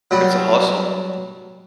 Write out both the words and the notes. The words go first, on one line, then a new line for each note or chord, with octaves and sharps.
It's a hustle,
F#3 G3